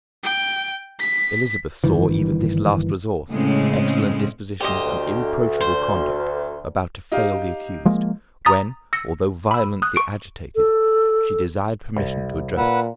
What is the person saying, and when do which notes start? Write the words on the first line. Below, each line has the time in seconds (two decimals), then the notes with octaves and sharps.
Elizabeth saw even this last resource, her excellent dispositions and irreproachable conduct, about to fail the accused, when, although violently agitated, she desired permission to address the court.
0.23 G5
0.99 B6
1.84 G1 D#3 E3
3.30 A2 C#3 G#3 C4 C#4
4.60 D2 G4 C5 D#5
5.61 C5
7.12 D#4 G4 F5
7.85 F3 G#3 A#3
8.45 A#5 D#6 A6 B6
8.93 E6 A#6 C#7
9.51 B5 E6
9.82 D#6 F#6
9.96 C#6 D7
10.55 A4
11.96 C2
12.57 A#2 B4 F#5 E6